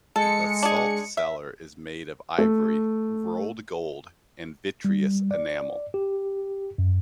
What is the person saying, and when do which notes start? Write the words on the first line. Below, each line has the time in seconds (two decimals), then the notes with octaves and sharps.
The salt cellar is made of ivory, rolled gold, and vitreous enamel.
0.16 G#3 A4 C#7
0.63 D4 G#4
1.17 E5
2.38 A3
4.85 G3
5.31 D5
5.94 G4
6.78 F#2